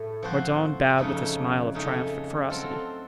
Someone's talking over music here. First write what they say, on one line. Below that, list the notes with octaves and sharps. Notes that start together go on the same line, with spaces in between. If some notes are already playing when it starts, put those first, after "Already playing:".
Mordaunt bowed with a smile of triumphant ferocity.
Already playing: A2 A3
F3 C4 F#4 C5
F2 C#3 A3 D#4
C#3 A3 D#4
F#3 C4 F4 A4